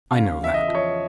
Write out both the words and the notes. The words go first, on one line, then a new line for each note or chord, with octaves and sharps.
I know that.
C#3 F5
E2 E5
D#5
F3
C#5